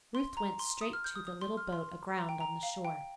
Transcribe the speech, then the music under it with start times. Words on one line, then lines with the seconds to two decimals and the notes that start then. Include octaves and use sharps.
Ruth went straight to the little boat aground on the shore.
0.15 C6
0.37 A#5
0.59 C6
0.81 D#6
0.93 F6
1.04 G6
1.15 D#6
1.27 D#6
1.41 C6
1.57 F6
1.73 C6
2.18 A#5
2.29 G5
2.40 A#5
2.63 F5
2.85 G5